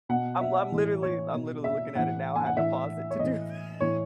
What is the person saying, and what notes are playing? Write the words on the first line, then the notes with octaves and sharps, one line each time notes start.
I'm l I'm literally I'm literally looking at it now, I had to pause it to do this.
B2 F#5
E5
A2 E3
C#5
B2
E5
A2 E3 F#5
G#5
F#5
A2 E3 E5
C#5
A2 E3 D#5
A2 E3 C#5